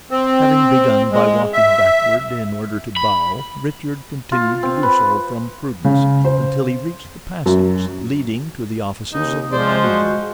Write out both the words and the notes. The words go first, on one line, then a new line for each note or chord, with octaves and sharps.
Having begun by walking backward in order to bow, Richard continued to do so from prudence, until he reached the passage leading to the offices of the management.
C4
G#3
E5
B5
F4
C4
B4
C#3
C5
F#2
D#2 D#4
F3 G#3 C5 D5
F#4